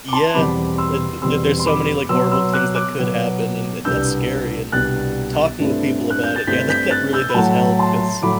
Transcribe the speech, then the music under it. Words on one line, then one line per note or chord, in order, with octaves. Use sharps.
Yeah, tha th th there's so many, like, horrible things that could happen, and th that's scary, and talking with people about it, yeah, that that really does help 'cause
D6
A5 C6
E2 B2 G3 C4 B5 D6
C6 E6
E2 B2 G3 C4 C6 E6
C6
B5 D6
B2 F#3 B3 C6 E6
C6 E6
D6 F#6
D6 F#6
B2 F#3 B3
C2 B2 G3 B3 D4 E6 G6
C2 B2 G3 B3 D4 F#6 A6
G2 D3 A3 C4 E4
F#6
G6
A6
G2 D3 A3 C4 E4 G6 B6
G6 B6
F#6 A6
E6 G6
B5
A2 F#3 A3 E4 F#5 A5
A5 C6
A2 F#3 A3 E4 B5 D6